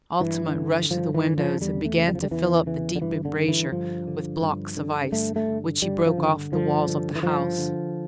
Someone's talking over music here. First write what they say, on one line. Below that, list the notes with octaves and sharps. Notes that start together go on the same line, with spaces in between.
Altamont rushed to the windows, and began to fill up the deep embrasure with blocks of ice, which he broke off the walls of the house.
G2 E3
D3
G2 F3
E3
D3
F3
E2 G3
A3
C#3
G3
F3
G3
E2 E3
C#3 E3
D3
G2 E3
D3
D3
E3
G2 F3
D3
G2
D3
G2 A3
A3
D3
G2 G3
F3
D3
G2 F3
D3
E3
G2 F3
D3